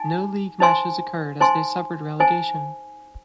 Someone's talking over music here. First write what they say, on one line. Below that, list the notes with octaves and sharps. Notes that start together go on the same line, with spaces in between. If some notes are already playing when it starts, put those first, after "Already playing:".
No league matches occurred as they suffered relegation.
Already playing: D#4 G#5
D#4 C5 G#5 C6
D#4 C5 G#5 C6
D#4 C5 G#5